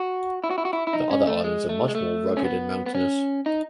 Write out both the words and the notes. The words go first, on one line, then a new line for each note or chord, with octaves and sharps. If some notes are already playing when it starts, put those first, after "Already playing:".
The other islands are much more rugged and mountainous.
Already playing: F#4
E4
F#4
E4
F#4
E4
E4
D#4
C#4
A3
G#3
A3
G#3
A3
C#4
B3
B3
C#4
D#4